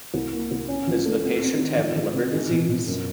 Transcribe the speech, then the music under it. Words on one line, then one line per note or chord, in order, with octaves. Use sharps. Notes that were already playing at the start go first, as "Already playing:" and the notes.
Does the patient have liver disease?
C2
A#3
C2
C#4
F3
A3
C4
C4
D#3
F3
F3
C3
G#3
B2
B2
F#2